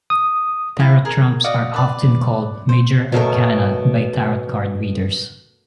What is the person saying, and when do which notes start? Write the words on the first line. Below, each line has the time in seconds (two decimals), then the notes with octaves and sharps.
Tarot trumps are often called Major Arcana by tarot card readers.
0.10 D#6
0.79 E4 F5
1.05 G#4 A#4
1.44 F#4 D5 D#5 F5
1.74 B4 D5
2.69 C5
3.12 B2 F#3 A3 A#4